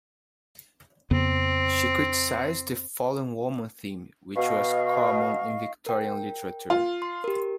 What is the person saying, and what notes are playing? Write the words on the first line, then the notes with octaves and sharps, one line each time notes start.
She criticized the "fallen woman" theme, which was common in Victorian literature.
F2 C#3 B3 C4
B2 D#5 F5 C#6
A#4 G5
F4
C6
G4 A#4